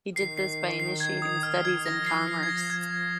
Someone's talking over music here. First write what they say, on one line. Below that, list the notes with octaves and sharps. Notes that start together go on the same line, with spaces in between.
He did this by initiating studies in commerce.
D#3 C7
C7
C7
G#6
D#6
F6
G#6
F3 A#6
C7
C7
G#6
A#6
G#6